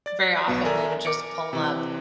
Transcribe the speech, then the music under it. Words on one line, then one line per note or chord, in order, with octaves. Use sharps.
Very often, we would just pull up
D5 A6
B1 B2 B3
A4 A#4 D5 E5 G#5 A#5
A#4 D6 C#7 D7
C3 E3